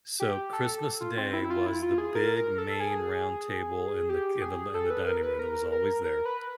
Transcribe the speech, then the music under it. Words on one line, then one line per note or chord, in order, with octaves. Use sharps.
so, Christmas Day was the big, main roundtable in the k in the l in the dining room- that was always there-
G4
A4
F4
C4
E4
F4
E4
F4
G#4
A#4
A#4
A4
G#4
G4
G#4
A4
B4
A#4
B4
A#4
A#4
A#4
B4